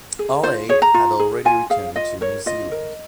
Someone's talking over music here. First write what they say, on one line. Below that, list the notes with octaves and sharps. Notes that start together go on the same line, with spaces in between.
All eight had already returned to New Zealand.
G#4
F4 C5
G#4 C#5
A#5
F4
G#4
F4 G#5
G#4 F5
F4 D#5
A#4 C#5
F4 D#5
A#4